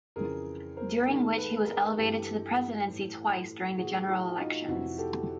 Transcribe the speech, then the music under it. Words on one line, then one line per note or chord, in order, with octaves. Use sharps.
During which he was elevated to the presidency twice during the general elections.
F2 C#3 E3 G#4 A#4
A#4 C5
G#2 D#3 G#4 A#4
A4 B4
G#4 A#4
G2 E3 G4 A4
A2 E3
A2 E3 F#4 G#4
E4 F#4
D#4 F4
F2 C3 E3 E4 F#4
G4 A4